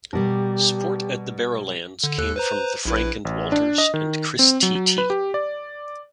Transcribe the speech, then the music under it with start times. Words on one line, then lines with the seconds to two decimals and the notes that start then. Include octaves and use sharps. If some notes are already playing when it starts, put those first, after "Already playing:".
Support at The Barrowlands came from The Frank and Walters and Chris T-T.
0.13 B2 G3 G4 A#4
2.04 D3
2.18 D#2 A4 F#6
2.36 B4 C5 A#5
2.85 A#1 E4 B4
3.25 A1
3.52 D4
3.78 D#5
3.94 D#3
4.39 C4
4.63 F#3
4.75 F#3
4.98 B4
5.10 G4
5.34 D5